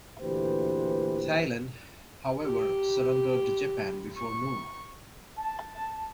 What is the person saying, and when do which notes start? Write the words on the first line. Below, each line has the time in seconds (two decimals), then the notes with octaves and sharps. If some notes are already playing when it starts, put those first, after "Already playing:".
Thailand, however, surrendered to Japan before noon.
0.21 D2 A#2 E3 G4 B4 C5
2.43 G4
4.16 C#6
5.38 A5